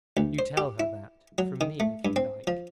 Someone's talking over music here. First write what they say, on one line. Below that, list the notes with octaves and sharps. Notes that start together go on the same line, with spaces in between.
You tell her that--from me, if you like.
D2
C5
G4
E4
F#3
D#3
A3
G2
C4
F3